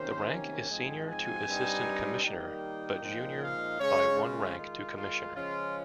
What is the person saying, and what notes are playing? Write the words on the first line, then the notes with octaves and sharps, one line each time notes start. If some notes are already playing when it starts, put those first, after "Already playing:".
The rank is senior to Assistant Commissioner, but junior by one rank to Commissioner.
Already playing: C3 D#3 A#3 C#4 C5
G#5
G#2 F3 C4 D#4
G#5
G2 G3 C4 D#4
D#3 G3 A#3 D#4 G5
A#2 F3 G#3 D#4
F5
C#3 G#3 C#4 C#5
F4
D#3 G#3 D#4
F4
C#3 F3 G#3 C#4 F4